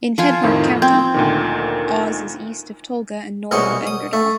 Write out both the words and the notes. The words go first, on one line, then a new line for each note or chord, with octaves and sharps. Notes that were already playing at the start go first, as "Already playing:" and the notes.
In Hedmark county, Os is east of Tolga and north of Engerdal.
F3 F4 G#5
F2 A2 D#3
C4 G6 G#6
D2 A#2 D#3
C2 B2 G#3 D#4 C#5
D#6
A3